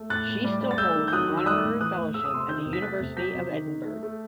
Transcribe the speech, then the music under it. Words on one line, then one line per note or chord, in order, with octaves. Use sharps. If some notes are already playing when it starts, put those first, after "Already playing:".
She still holds an Honorary Fellowship at the University of Edinburgh.
Already playing: A3
A2 F#6 A6
A2
G3
G3
A6
A3 E6 G6
D#3
G6
F#3 D#6 F#6
D#3
E6
G3 D#6 F#6
A2
E3 D#6 F#6
A2
A3 E6
D#6
C3 C6 E6
D#3 E6 G6
C3
B6
A3 F#6 A6
C3
F#3 G6 B6
C3
D#3
D#3
A3
A3